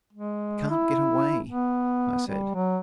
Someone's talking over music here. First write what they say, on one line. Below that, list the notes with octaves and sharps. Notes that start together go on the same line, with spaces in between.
"Can't get away," I said.
G#3
E4
B3
G3
F#3